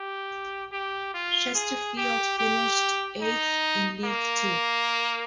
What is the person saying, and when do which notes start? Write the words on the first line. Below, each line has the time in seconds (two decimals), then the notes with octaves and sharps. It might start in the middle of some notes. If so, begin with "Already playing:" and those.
Chesterfield finished eighth in League Two.
Already playing: G4
0.72 G4
1.14 F4
1.55 G#4
1.98 G4
2.39 G4
3.22 D#4
4.04 A#3